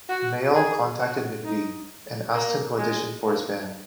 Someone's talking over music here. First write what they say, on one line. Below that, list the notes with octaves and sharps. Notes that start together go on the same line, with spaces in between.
Mayall contacted McVie, and asked him to audition for his band.
F#4
G#4
F#4
D#4
A#3
G#3
A#3